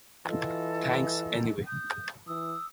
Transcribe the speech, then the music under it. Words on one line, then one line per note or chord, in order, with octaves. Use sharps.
Thanks anyway.
E3 F4 A4 D#5
D#6 G6
E3 D#6 E6